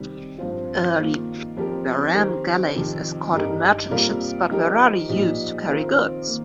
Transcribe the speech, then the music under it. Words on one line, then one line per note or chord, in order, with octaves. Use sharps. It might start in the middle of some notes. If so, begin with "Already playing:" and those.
Early bireme galleys escorted merchant ships but were rarely used to carry goods.
Already playing: C3 D#3 G3
G2 F3 C4 F4
D#3 A#3 F4
F2 F3 C4 G4 A#4
D#3 C4 G4 A#4
F2 C3 D#3
G2 G3 D#4 G4 A#4
C3 G3 A#3 F4 A#4
F3 D#4 G4 A#4
A#2 F3 D#4 G4
D#3 C4 F4 A#4
D#3 A#3